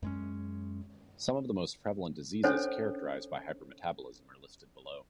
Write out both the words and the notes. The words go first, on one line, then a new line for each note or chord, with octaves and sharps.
Some of the most prevalent diseases characterized by hypermetabolism are listed below.
F#2 G#3 C#4
C#4 D4 A4 C5 C#5